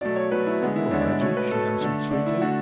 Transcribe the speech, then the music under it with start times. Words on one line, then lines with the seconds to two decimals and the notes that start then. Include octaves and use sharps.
"Hello, Reggie!" she answered sweetly.
0.01 B2 F#3 A3 D5
0.16 C#5
0.31 B2 F#3 A3 B4
0.46 E4
0.62 D3 G#3 B3
0.76 E4
0.91 D3 G#3 B3 C#5
1.01 D5
1.11 D5
1.21 B2 A3 C#5
1.36 B4
1.51 B2 A3 A4
1.81 D3 A3
2.10 D3 A3 D4
2.26 E4
2.41 D3 A3 F#4